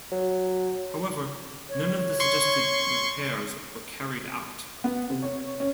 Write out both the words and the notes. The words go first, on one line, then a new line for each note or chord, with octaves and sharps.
However, none of the suggested repairs were carried out.
F#3
C#5
C6 C#6
B3
C3
C#5
C#4